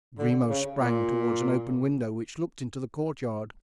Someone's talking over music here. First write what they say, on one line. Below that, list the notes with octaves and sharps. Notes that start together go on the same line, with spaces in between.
Grimaud sprang toward an open window which looked into the courtyard.
D3
C#3
A#2